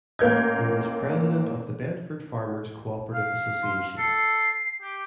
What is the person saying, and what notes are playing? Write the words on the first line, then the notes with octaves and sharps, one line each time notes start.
He was president of the Bedford Farmers' Cooperative Association.
A1 A#3 A#4 G6 G#6
F5
C6
A4 C7
G4